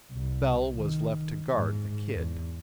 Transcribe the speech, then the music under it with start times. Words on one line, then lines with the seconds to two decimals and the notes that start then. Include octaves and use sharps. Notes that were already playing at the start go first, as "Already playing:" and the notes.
Bell was left to guard the "Kid."
0.13 C2
0.78 D#3
1.54 G#2
2.13 E2